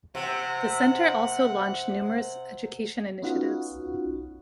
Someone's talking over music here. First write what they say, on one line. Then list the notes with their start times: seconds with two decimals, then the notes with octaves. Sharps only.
The centre also launched numerous education initiatives.
0.15 C3 F#5
3.22 B3 C#4 D#4 F4 F#4